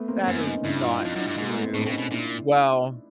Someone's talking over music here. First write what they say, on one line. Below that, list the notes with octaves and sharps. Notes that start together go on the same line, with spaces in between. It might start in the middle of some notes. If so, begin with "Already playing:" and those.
That is not true. Well
Already playing: A3 B3
A#3 C4
F#2 B3 C#4
C#4 D#4
G2 D4 E4
D#4 F4
F2 D#4 F4
F#2 D4 E4
G2
G#2 G#3 A#3
A3 B3
A#3 C4
A2 C4 D4
B2
C#4 D#4
B2
A#2 D4 E4